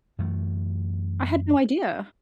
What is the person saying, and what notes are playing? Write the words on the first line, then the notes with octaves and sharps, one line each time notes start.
I had no idea.
F#2 E3 A3